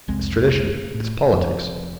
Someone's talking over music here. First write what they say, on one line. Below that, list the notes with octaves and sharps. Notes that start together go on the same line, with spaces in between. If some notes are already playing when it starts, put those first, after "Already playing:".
It's tradition--it's politics.
F1 C2 G#3 C4
A2
F1 F2